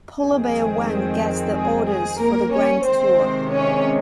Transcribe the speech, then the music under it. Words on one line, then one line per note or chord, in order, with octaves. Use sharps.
'Polar Bear One' gets the orders for the grand tour.
F2 D#3 G#3 C4 G#4
G#4
G#4
A#3 A#4
C#4 C#5
C3 D#3 G#3 C4 C5
C#4 C#5